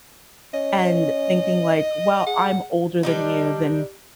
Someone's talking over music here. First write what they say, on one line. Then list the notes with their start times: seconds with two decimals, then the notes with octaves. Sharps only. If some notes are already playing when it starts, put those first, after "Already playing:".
and thinking, like, "Well, I'm older than you, then
0.54 C#4 D#5
2.27 G#4 F#5
3.03 G3 D4 D#4